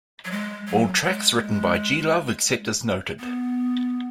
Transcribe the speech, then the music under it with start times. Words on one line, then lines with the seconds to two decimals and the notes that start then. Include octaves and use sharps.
All tracks written by G. Love except as noted.
0.25 F#3
0.31 G#3
0.67 F#3
1.04 G#3
3.19 B3